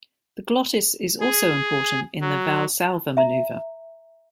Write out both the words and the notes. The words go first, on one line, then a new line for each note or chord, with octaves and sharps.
The glottis is also important in the valsalva maneuver.
G#4
F#3
E5 A#5